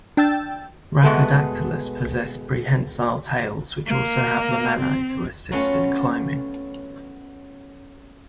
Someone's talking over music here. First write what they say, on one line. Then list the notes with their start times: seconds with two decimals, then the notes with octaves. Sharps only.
"Rhacodactylus" possess prehensile tails which also have lamellae to assist in climbing.
0.17 D4 G5 E6 A6
1.03 B2 G#3 A3 B3
3.87 A#3
4.78 C4
5.52 F#3 A3 B3 C#4 F4